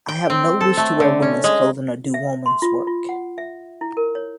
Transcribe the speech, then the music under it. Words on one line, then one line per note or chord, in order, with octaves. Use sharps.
I have no wish to wear women's clothing or do woman's work.
G5
C4
A4
A3
D3
C#4
G#3
E5
C6
F4
F4
F#5
E5
E4
A#4
C#5